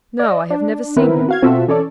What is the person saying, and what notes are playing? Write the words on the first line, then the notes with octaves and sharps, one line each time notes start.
"No, I have never seen him."
D5 D#5
D4
D#3 B3 C4 E4 A#4 B4
F#4 F5 G#6
B2 C4 F4 F#4 A4 E5
E3 C#4 A4 C#5 D5